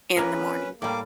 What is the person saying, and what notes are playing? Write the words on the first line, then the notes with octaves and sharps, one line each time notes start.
in the morning
A#3 C#4 G#4 A#4 B4
A2 G3 A#3 D6